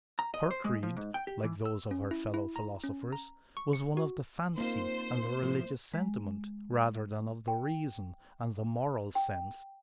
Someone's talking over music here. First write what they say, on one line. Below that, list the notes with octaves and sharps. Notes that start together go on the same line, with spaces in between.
Her creed, like those of her fellow-philosophers, was one of the fancy and the religious sentiment, rather than of the reason and the moral sense.
A#5
D#5
C5
G#3
F3
G#2
G5
G4
E3
E6
C#4
E4
E4
A#5
C#4
A#5
C#6
C#7
F#4
A#3 C4 D#4 F4 C5
A2 F3 A3
G#3
G5
G5